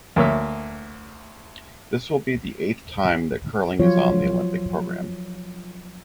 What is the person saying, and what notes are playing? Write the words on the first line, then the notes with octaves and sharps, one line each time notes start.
This will be the eighth time that curling is on the Olympic program.
D2 A#3 C#5 E5
F3 F#3 F4 C#5